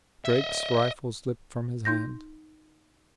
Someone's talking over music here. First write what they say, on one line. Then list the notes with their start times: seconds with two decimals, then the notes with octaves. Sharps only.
Drake's rifle slipped from his hand.
0.25 D#5 E5
1.85 D#4 C6 G6 A#6